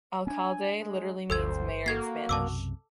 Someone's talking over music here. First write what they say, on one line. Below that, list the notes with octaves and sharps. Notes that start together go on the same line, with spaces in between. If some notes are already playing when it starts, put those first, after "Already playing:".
"Alcalde" literally means "Mayor" in Spanish.
C4 D4 G#5
G#3
G1 D2 A4 C5 E6 G#6
A#3 F#4 A4 G#6 C7
B1 F#2 C3 A5 D6 E6